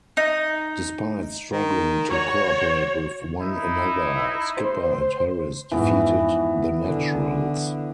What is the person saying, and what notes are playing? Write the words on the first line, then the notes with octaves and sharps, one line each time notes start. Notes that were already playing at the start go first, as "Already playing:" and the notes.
Despite struggling to cooperate with one another, Skipper and Harris defeated The Naturals.
D#4
D#3
F#4 C#5
D#4 E4
C5
F2 G#2 E3 B3
D3